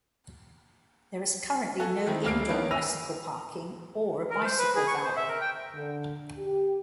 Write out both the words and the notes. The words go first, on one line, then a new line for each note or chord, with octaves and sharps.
There is currently no indoor bicycle parking or a bicycle valet.
F#4 A4 G#5
D#3 C4 D#4 E4
D2 G3 A#3 F6 C7 D7
D#3 F3 A#3 B3 C#4 E4
E6 A#6 D#7 F7
A#4
C5
B4
G#4
C#6
C5
E5
A#4
G5
D3
G4